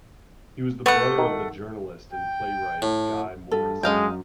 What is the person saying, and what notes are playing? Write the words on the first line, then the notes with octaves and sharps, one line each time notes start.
He was the brother of the journalist and playwright Guy Morrison.
A3 B3 F#5
D#3
G5
A2
G2 A4
F#2 G#3 D#5 F5 G5